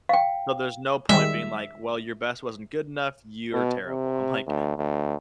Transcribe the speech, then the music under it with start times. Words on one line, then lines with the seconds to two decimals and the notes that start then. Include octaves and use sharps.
so there's no point being like, "Well, your best wasn't good enough. You're terrible." I'm like,
0.09 F5 G5
1.09 D#3 G3 G#3 E5
3.53 B2
3.85 C3
4.47 D2
4.77 D2